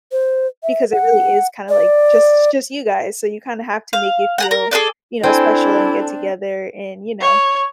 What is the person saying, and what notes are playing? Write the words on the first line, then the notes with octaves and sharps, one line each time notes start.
because it really is, kind of, like, just just you guys, so you kind of have to make it feel, you know, special, and get together, and, you know,
C5
E5
F#5
D5
F5
F#5 G#5 A#5
A#4
G#4 A4 B4 D5
C4 D4 E4 A4 G#5
C#5